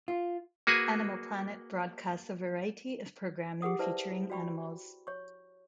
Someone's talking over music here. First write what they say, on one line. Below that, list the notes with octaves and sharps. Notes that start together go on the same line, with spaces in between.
Animal Planet broadcasts a variety of programming featuring animals.
F4
A#3 F#4 G#4 B4 G#5
G4 G#4 A#4 F#5 D#6
E4 B4 C5 D5 E5 A5
F#4 D5 G5 B5 C#6
C#5 C#6